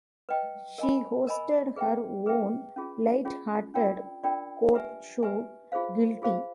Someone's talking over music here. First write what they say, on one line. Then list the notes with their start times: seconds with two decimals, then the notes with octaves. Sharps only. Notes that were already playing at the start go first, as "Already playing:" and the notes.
She hosted her own light-hearted court show, Guilty!
0.29 B4 D#5 G5
0.78 A#4 D#5 G#5 B5
1.27 A#4 D#5 G#5 B5
1.76 G#4 B4 E5 G5
2.26 G#4 B4 E5 G5
2.76 C#4 F4 G#4
3.25 C#4 F4 G#4
3.74 D4 F4 A#4 D5 G5
4.23 D4 F4 A#4 D5 G5
4.74 G4 B4 E5 G#5
5.23 G4 B4 E5 G#5
5.72 F4 G#4 C5 F5
6.22 F4 G#4 C5 F5